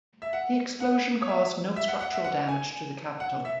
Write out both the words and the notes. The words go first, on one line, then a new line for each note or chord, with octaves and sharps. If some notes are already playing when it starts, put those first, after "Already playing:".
The explosion caused no structural damage to the Capitol.
E5
F#5
F#5
C#5
E5
E5
F#5
F#5
E5
F#5
G#5
F#5
E5